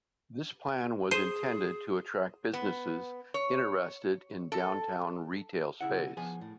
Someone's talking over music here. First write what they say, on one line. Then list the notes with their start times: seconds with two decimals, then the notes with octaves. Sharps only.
This plan was intended to attract businesses interested in downtown retail space.
1.11 G#4 C5 C7 D#7
2.54 B3
3.34 C#5
4.52 A4
5.81 C#3 E4 F#5
6.17 F3 B3 G#4 G#5
6.41 A2